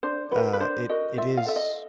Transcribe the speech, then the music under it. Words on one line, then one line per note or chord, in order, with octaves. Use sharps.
uh, it it is,
D4 C5
F#4 A#4 B4
B4
D4 C5
F#4 A#4 D#5
F4 E5
F5
A4 E5
D#5